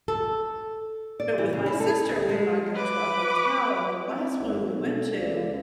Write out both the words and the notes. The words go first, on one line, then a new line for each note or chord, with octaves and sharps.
But with my sister, we might go to a hotel, and the last one we went to,
A4
D5
E3
C#3
E4
A4
D2
G#3
B4 D6
C4 E4
G#1
B2 A3 D#4 A4
C#2 D5 F5